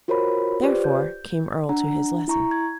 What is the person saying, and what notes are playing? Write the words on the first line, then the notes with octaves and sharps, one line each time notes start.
Therefore, came Earle to his lesson.
F4 F#4 A#4 C5 C#5 B5
F4 G4 B4 C5 D5
G6
D4 F#5 A#5
E4 A#5 C#6
G#6